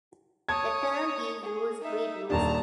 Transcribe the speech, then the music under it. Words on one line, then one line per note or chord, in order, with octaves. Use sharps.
The term is used quite loosely.
C#5 A5 D#6 G#6
G#4
D#4 E5
D#1 D#2 D4 A5 A#5